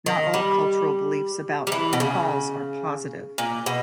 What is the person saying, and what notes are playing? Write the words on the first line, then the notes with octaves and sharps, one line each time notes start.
Not all cultural beliefs about cauls are positive.
D#3
G3
G3
E3
B2
C#3
A#2
B2